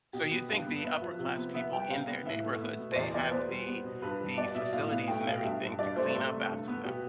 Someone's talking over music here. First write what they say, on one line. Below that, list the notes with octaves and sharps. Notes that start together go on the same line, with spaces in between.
So, you think the upper-class people in their neighborhoods, they have the the facilities and everything to clean up after them?
B2 G4
B3
G2
B3
B3 E5
F3
C3
B3
B3 E5
G3 G5
C3 F5
B3
A2 E5
A3
B3
B2
C5
E2 D5
B3 D5
B3 C5
G3
B3
B2
G2 B4
G3
B3 D5
B2 E5
A2 F5
B3 F5
A3 G5
B2 F5
G2 E5
G3
G2 D5
A3 C5
C3 A4
A3
G2
B3
B2 G4